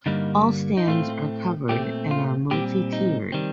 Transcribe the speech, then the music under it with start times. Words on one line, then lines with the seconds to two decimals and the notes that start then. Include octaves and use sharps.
All stands are covered and are multi-tiered.
0.06 G2 D3 G3 A#3 D#4
0.77 D#4
0.87 A2 A3 C4 F4
1.69 A#2 A3 C4 G4
2.11 F4
2.51 A#2 G3 C4 G4
2.93 D#4
3.32 D#3 G3 C4